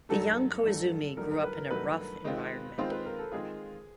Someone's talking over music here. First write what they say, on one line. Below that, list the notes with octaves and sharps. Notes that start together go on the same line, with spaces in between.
The young Koizumi grew up in a rough environment.
G2 D#3 F#3 A3 A4
G2 D#3 F#3 A3
G2 D#3 F#3 A3 A#4
A#4
B4
A#4
G2 D#3 F#3 A3 B4
D#3 G#3 C4 F4
D#3 G#3 C4 F4 C5
B4
A#4
A4
D#3 G#3 C4 F4 G#4